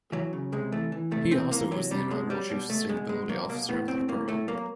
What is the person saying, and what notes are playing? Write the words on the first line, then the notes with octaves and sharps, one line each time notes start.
He also was the inaugural Chief Sustainability Officer of the department.
E3 F#3
C#3
C3 G#3
E3 A3
E3
C3 A3
E3 C4
E3 A#3
C3 F#3
C3 G3
B2 G#3
F#3 G3
B2 G3
B2 A3
B2 G#3
B2 G#3
F#3 A#3
B2 A#3
A2 B3
A2 C4
A2 A#3
A2 A3
F#3 A#3